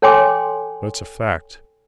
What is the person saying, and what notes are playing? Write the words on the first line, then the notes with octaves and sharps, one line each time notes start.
"That's a fact?"
A4 C#5 G5 G#5 C6 D6